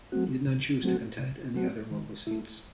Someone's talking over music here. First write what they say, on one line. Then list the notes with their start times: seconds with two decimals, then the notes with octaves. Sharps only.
He did not choose to contest any other local seats.
0.12 F#3 A3 C4 F#4
0.47 C3
0.83 F#3 A3 C4 F#4
1.19 C3
1.55 F#3 A3 C4 F#4
1.91 D#3
2.27 A3 E4